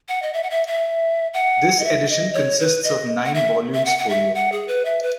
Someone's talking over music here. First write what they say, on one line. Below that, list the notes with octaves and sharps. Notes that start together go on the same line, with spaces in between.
This edition consists of nine volumes folio.
F#5
D#5
E5
F#5
E5
E5
F#5
D#5
E5
D#5
C#5
B4
D#5
F#5
E5
E5
F#5
F#5
E5
F#5
G#4
B4
E5
B4